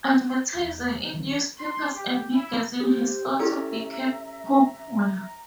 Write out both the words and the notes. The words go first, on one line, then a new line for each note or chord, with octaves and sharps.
Advertising in newspapers and magazines has also become popular.
E1 E2
A#1 D#3 E3 G3
C6
G4
E4
G4 C5 D#6
C#4 E4 G4 A4 D5 E5 G5 A#5